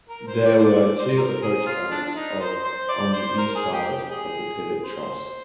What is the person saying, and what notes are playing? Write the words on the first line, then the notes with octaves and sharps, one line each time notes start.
There were two approach spans of on the east side of the pivot truss.
A#4
C5
D5
C5
D5
D5
C5
A#4
G#4
F4
D4
D4
D#4
C5
C5
D5
C5
A#4
G#4
G4
G4
G#4
C5